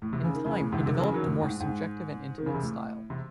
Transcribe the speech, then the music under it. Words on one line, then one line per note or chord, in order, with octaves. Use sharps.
In time, he developed a more subjective and intimate style.
A2
C3
C#3
D#3
C#3 E3
A2
G#2 C3
C3 D#3
F#3
C#3 E3
D#3 F#3
C3
A2
G#2
G#2
D#3
C#3
C3
A2
C3